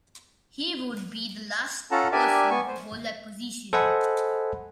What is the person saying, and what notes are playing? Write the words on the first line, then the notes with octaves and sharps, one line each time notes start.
He would be the last person to hold that position.
C#4 F4 A4 F#5 A5 A#5
D4 G4 A#4 D5 E5 G#5
B3 G#5 C#6
C5
A4 C5 D#5 F#5 G#5 B5